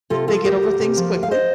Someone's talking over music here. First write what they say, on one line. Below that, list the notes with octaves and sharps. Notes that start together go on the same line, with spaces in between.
they get over things quickly,
C3 F4 A4
F3 F4 A4
D2 G4 A#4
D2
C3
F3
D2
F5
C5 D#5